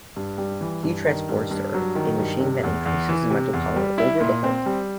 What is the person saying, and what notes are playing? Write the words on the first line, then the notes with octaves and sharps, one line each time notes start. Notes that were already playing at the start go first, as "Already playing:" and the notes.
He transports to Earth a machine that increases his mental power over the Hulk.
G2
G3
E3
G2
D#3
G2
G2
F#3
D#3
G2
C3
E2
E2
E3
C3
E2
G3
E4
A#2
C4
G3